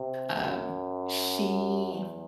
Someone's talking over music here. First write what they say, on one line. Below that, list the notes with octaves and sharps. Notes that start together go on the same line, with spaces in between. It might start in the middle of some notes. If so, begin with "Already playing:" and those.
Um, she
Already playing: C3
F#2
E2